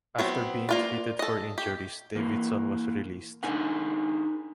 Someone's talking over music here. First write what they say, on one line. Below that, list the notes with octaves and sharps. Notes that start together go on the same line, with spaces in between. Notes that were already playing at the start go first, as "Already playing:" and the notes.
After being treated for injuries, Davidson was released.
F#3 B3 C4
A#3 F4 D5
A4 D#5
G4
E3 A#3
D4 D#4 G#4 A#4 F#5